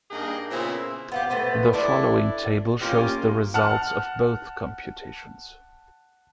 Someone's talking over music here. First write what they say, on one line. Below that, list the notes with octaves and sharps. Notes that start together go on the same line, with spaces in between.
The following table shows the results of both computations.
G2 A#3 D#4 G#4 D#5 G5
A#2 C#3 B3 C4 E4 G#4
B3 F4 G4
A3 B3 B4 C5
D4 E4 A4
A#3 C#4 F4 G4
F#5 A5 F6